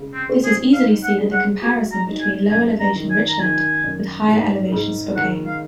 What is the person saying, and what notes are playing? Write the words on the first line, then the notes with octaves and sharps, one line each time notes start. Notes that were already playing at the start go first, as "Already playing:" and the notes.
This is easily seen in the comparison between low-elevation Richland with higher elevation Spokane.
Already playing: C#3 G#3
C4
C4
G#4
D#4 F5
F#5
G#3
F#5
F#4 G#5
A#5
D#4
G#5
F#2 G#5
A#5
D#3
G#5
A#5
D#3 G#5
F#2
G#2
G#2
D#3 F#5
F5